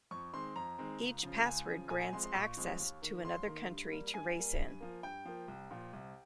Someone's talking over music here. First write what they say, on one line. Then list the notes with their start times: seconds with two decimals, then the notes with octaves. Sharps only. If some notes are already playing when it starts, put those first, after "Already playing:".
Each password grants access to another country to race in.
0.11 F2 C#6
0.33 D#3 G#3 C4 C6
0.56 F2 A#5
0.78 D#3 G#3 C4
1.01 C#2
1.23 C#3 F3
1.45 C#2 G#5
1.68 C#3 F3
1.90 A#2 G#5
2.01 G#5
2.13 F3 G#3 C4 C6
2.23 C6
2.35 A#2 C#6
2.57 F3 G#3 C4
2.79 D#2
3.02 D#3 A#3
3.24 D#2 C6
3.47 D#3 A#3
3.69 G2
3.91 G3 A#3
4.14 G2 G#5
4.36 G3 A#3
4.59 G2
4.80 F3 A#3
5.03 G2 G5
5.25 F3 A#3
5.48 C2
5.71 A#2 F3
5.93 C2